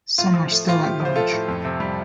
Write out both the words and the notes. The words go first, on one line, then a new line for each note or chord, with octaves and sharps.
Some are still at large.
A2 F4
F3
A3
A2 F4
A2 G4
F3
C5
A3 F4 A4
A2
F2
C3
G3